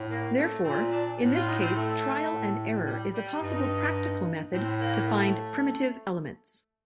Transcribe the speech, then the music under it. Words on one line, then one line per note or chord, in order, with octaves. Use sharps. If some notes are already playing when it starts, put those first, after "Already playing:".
Therefore, in this case trial-and-error is a possible practical method to find primitive elements.
Already playing: A2
A#3
A3
A#2 C4
D4
A2
F4
D#4
C4
A3
A2
G3
G3
G2 D#4
A2 C4
A#3
A3